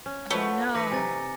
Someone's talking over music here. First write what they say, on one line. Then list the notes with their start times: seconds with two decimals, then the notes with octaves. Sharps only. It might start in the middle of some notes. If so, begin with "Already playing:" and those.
Oh, no.
0.06 C#4
0.31 F3 A3 F#4 B4 C#5
0.75 G2 E3 B4 D6 A#6 C#7
0.92 C3 D#4 G#5 A6